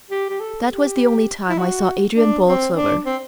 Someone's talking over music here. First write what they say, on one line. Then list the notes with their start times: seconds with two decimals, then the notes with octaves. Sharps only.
That was the only time I saw Adrian Borlsover.
0.11 G4
0.30 G4
0.40 A4
0.69 G4
1.49 E4
1.58 F#4
2.17 D4
2.47 C4
2.76 D4
3.06 C4